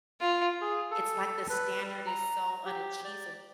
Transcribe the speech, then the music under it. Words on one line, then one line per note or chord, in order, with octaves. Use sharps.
it's, like, the standard is so unachees
F4
G#4
A4
B4
G3
A#5
G4
D5